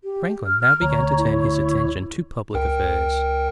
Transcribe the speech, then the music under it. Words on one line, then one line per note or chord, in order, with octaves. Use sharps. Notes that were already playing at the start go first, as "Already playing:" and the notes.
Franklin now began to turn his attention to public affairs.
G4
F6
F6
D2 C#5 A#5
E4
C#2 A#4 G5